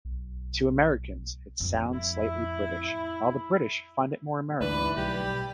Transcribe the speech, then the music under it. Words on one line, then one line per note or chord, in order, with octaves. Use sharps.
To Americans, it sounds slightly British, while the British find it more American.
B1
F2 A2
E4
D2 G#2 E3 B4 D5 B5
B1 G3 G4